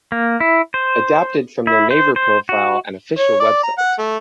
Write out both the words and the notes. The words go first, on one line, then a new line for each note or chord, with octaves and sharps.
Adapted from their Naver profile and official website.
A#3
E4
C5
E4
C5
C5
F#4
C#5
D5
A#5
F#5
A3